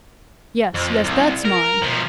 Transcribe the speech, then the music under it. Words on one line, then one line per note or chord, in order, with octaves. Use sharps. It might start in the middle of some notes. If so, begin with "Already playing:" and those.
Yes, yes; that's mine.
F2
C2
A#4
B2 F3